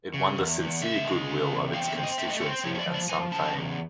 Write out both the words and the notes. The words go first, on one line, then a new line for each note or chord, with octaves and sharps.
It won the sincere good will of its constituency and some fame.
C#3
E2
E2
C#3 E5
G#3
C#3
E2
C4 F5
E5
C4
D#5
A3 E5
D#5
C4 C#5
C5
F3 C#5
C#5
D5
F3
D5
F3 G#5
C#3 A5
E2